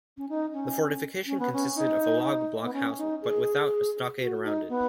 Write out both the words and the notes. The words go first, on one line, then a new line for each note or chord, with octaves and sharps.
The fortification consisted of a log blockhouse but without a stockade around it.
C#4
D#4
C#4
C#4
B3
C#4
D#4
B3
C#4
D#4
G#4
F#4
D#4
B3